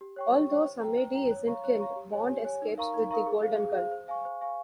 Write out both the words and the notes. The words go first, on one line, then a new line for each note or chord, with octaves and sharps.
Although Samedi isn't killed, Bond escapes with the Golden Gun.
G4
C#5 G5 C#6
G4
C#5 G5 C#6
C5
G5 A#5
C5
G5 A#5
C#5
F5 A#5 C#6
C#5
F5 A#5 C#6
G4
C#5 G#5
G4
C#5 G#5
D#4
A#4 F5 A#5 C#6
D#4
A#4 F5 A#5 C#6
G#4
C5 F5
G#4
C5 F5
C5
F5 G#5 C#6
C5
F5 G#5 C#6